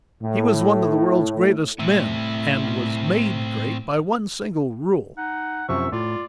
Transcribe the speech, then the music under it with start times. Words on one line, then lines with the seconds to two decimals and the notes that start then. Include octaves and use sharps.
He was one of the world's greatest men, and was made great by one single rule.
0.23 A2
1.79 A2 C4 E4
5.17 D#4 F#5
5.69 F#2 C3 F3 E5 C#6
5.92 A2 F4 D5